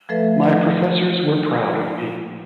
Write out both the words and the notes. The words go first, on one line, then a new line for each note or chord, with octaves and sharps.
My professors were proud of me.
F3 A3 A4 B4 E5